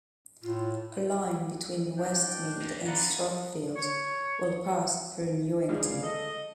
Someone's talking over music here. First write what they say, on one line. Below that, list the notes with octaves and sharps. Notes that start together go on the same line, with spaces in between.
A line between Westmead and Strathfield will pass through Newington.
A2 F4
E3 G#3 D4 G5
F2
F#3 A#3 C#4 D#4 B4 D5 F#5 A#5
C#5
C#2 F3 G#3 D4 G#4 F5
A4 D#5